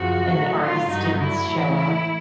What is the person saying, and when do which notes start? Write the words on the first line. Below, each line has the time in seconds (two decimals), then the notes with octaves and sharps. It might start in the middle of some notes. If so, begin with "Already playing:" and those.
And the artist didn't s show up,
Already playing: F#2 C#3 F3 F#4
0.32 A2 F#3
0.61 F4
0.90 G2 D3 F#3 D#4
1.20 E4
1.49 A2 E3